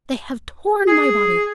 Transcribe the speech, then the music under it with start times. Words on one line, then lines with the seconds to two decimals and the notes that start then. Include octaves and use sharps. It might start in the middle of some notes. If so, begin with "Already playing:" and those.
They have torn my body.
0.87 G#4